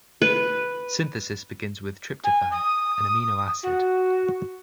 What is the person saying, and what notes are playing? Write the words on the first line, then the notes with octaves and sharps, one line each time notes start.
Synthesis begins with tryptophan, an amino acid.
B4
G#5
D#6
F#4